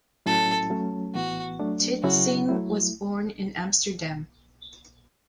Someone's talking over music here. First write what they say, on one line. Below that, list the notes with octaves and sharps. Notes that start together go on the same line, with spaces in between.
Titsingh was born in Amsterdam.
A2 F#3 C#4 E4 A4
F#3 A3 C#4
A2 E3 B3 F#4
F#3 A3 D4
C#3 F#3 C#4 E4 F#4
F#3 A3 E4